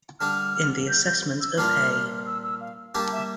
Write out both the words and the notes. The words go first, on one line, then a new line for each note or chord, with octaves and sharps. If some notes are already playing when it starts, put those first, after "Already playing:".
In the assessment of A.
D3 G3 D4 F6
G6
G6
E6
A#2 G3 D4 F4 F6
E6
E6
F5
G3 A#3 D4 G4 A5
E5